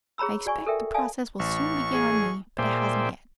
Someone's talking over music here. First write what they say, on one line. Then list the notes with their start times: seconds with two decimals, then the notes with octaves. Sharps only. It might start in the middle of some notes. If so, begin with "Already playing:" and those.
I expect the process will soon begin on me, but it hasn't yet.
0.18 G#4 C#5 A#5 B5 E6
0.46 F#4 D5 G#5 C#6
0.66 A4 A#4 E5 G5
0.94 D5 F5 G#5 A5 D#6
1.40 A1 C#6
1.93 G#4
2.58 A#2 G#4 C5 D5 E5 G5